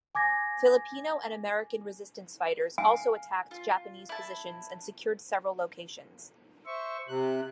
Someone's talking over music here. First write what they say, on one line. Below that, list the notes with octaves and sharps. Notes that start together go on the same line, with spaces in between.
Filipino and American resistance fighters also attacked Japanese positions and secured several locations.
G#5 D6 G#6 A#6
F5 G#5
F4
E4 A5
C5 E5 C#6
C3 F#6